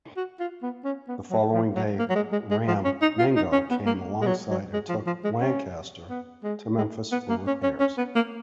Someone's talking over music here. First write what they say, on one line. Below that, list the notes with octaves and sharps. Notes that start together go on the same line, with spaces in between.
The following day ram "Mingo" came alongside and took "Lancaster" to Memphis for repairs.
F#4
F4
B3
C#4
B3
F#3
F3
F#3
A#3
F#3
G#3
G#3
G#3
F3
C#4
D#4
F4
D#4
C#4
B3
A#3
G#3
F#3
F#3
G#3
F3
F3
G#3
C#4
B3
G#3
G#3
B3
A#3
C#4
C#4
C#4
B3
A#3